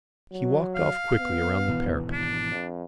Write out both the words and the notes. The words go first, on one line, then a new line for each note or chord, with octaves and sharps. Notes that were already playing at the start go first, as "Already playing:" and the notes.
He walked off quickly round the parapet.
F#3
F5
B3
G#1 B2 E3
D4
F2